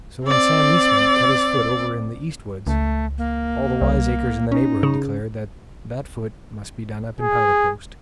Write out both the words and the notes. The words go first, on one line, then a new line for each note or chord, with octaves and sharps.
So when Sam Eastman cut his foot over in the "east woods," all the wiseacres in the neighborhood declared that that foot must be done up in powder-post.
C4 D5
C#2 A3
A#3
C2
C#4 D#4
C#3
G#4